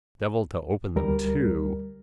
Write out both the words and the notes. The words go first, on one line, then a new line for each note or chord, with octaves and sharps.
Devil to open them too.
D2 G3 A#4